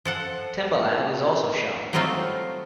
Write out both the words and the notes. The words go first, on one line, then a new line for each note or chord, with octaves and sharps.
Timbaland is also shown.
F3 A4 F#5
F#3 G3 A3 C4 D#4 F4